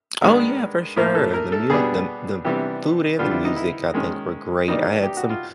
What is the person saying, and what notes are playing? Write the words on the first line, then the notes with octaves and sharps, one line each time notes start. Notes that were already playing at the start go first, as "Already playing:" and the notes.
Oh, yeah, for sure, the musi the the food and the music, I think, were great, I had some
D#3 G#3 B3 D4 A#4
A2 F3 A#3
A4
A#4
A4
B2 G3 B3 D4 G#4
C3 E3 G3 B3 D4 G4
D3 G3 B3 D4 F4
E4
D#4
E4
D#3 G#3 C#4
E3 G3 A#3 D4 D#4
G4
F#4
F4